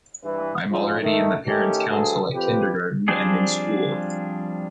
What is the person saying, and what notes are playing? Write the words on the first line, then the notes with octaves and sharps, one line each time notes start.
I'm already in the parents' council at kindergarten and in school.
G2 E3 B4
G#2 F3 F#3 G#3 C#4 F4
D#3 A3
D#3 A3 C#4 G4 A4
D2 G2 F#3 G#4 A4
F2 G4 B4
F3 G3 C4 D4 G#4